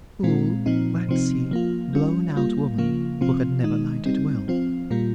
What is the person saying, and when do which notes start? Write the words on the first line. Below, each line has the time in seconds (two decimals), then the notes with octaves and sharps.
A cool, waxy, blown-out woman, who had never lighted well.
0.23 A#2 G#3 C4 F4
0.66 A#2 F3 C4 D#4
1.09 C3 F3 C4 D#4
1.51 F3 A#3 F4
1.93 G3 C#4 F4
2.36 G3 A#3 F4
2.78 C#3 F3 A#3 F4
3.21 C3 F3 C4 F4
3.64 D#3 G#3 D#4
4.06 G3 C4 D#4
4.48 F3 C4 F4
4.90 A#2 G3 A#3 F4